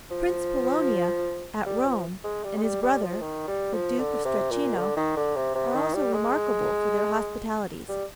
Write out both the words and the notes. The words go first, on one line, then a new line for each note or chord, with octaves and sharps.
Prince Polonia, at Rome, and his brother, the Duke of Strachino, are also remarkable for their hospitalities.
F3
G3
F3
G#3
G3
G#3
G3
G3
F3
D#3
G3
F3
D3
C3
A#2
D3
D#3
D3
C3
C3
D#3
G3
G#3
G3